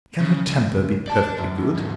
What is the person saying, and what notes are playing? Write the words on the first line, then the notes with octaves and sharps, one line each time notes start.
Can her temper be perfectly good?
C#3
C#2
D5 A5
F#2
E2
E2 G#2